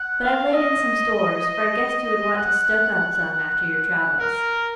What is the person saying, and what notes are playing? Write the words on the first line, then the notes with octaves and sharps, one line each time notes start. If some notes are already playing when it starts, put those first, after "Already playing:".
But I laid in some stores, for I guessed you would want to stoke up some after your travels.'
Already playing: F#5
F5
D#5
F#5
A#4